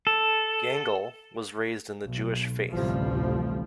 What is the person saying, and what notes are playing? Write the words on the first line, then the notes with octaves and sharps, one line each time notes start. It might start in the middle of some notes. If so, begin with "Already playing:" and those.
Gangel was raised in the Jewish faith.
A4
B1
A1 D2 C3 F3 G3